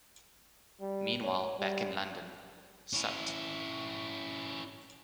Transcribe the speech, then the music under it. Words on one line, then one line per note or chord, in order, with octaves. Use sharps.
Meanwhile back in London, Supt.
G3
C#5
G3
C#4 E4